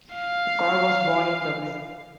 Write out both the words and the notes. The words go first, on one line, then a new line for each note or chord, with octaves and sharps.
Carr was born in Dublin.
F5